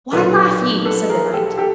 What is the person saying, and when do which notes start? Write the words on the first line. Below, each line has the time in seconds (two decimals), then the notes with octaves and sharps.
Why laugh ye? said the knight.
0.12 B1 A#2 F#3 A4 B4
0.85 A4 B4
1.09 G#4 A#4
1.33 G4 A4
1.58 G4 A4